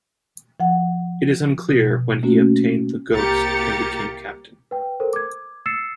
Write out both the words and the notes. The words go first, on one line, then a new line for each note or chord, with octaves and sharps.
It is unclear when he obtained the "Ghost" and became captain.
F3 F#5
B2
A3 A#3 C#4 F#4
C2 A#3 G4 A#5 A6 C#7
B4 G5
A4 A#4 C5
D6 G#6
D#6 E6 A6 C7 C#7 E7